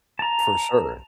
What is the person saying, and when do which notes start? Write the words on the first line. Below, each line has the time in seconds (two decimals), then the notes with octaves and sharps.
For sure.
0.19 A5 A#5